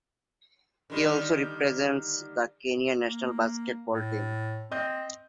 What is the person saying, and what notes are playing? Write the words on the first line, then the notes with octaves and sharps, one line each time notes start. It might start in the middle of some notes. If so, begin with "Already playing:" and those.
He also represents the Kenya national basketball team.
D3 D#3 G3
A#3
A2
C4 D#5 G6